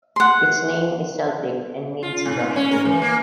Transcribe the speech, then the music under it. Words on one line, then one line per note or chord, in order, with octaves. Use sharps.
Its name is Celtic and means "brushwood".
F#5 C6
F4
G#2
C#4
A#4
E3
A#3